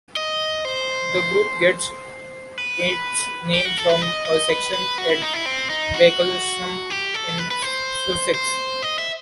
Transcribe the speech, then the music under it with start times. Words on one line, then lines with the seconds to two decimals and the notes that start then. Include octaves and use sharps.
The Group gets its name from a section at Bracklesham in Sussex.
0.16 D#5
0.65 C5
2.58 B4
3.53 G4
3.65 F#4
3.77 A4
3.89 B4
4.02 D#5
4.26 D#5
4.49 B4
4.73 B4
4.98 F#4
5.10 E4
5.22 D#4
5.34 E4
5.46 C4
5.70 D#4
5.94 F#4
6.90 G4
7.14 A4
7.38 B4
7.51 B4
7.62 C5
8.34 C5
8.83 D#5
8.98 E5